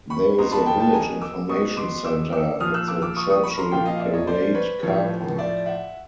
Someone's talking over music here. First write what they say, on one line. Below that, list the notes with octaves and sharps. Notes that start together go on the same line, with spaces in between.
There is a village information centre at the Churchill Parade car park.
B5 C#6
B2 A#5 C6
A5 B5
G5 A5
G5 A5
G#5 A#5
D6 E6
B2 C#6 D#6
C6 D6
D6 E6
D6 E6
A#2 F3 D#6 F6
E6 F#6
D6 E6
D6 E6
C#6 D#6
C#6 D#6
B5 C#6
A#5 C6
A#2 F3 F5 G5
D#5 F5
D5 E5
C#5 D#5
C5 D5
B4 C#5
A2 F3 B4 C#5
D5 E5
E5 F#5